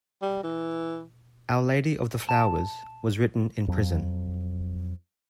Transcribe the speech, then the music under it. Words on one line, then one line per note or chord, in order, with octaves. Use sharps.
"Our Lady of the Flowers" was written in prison.
G3
E3
A5
F2 F#3